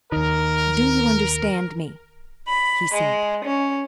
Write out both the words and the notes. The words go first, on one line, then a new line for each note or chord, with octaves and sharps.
"Do you understand me?" he said.
D#2 D#3 A#4
B5
G#3
C#4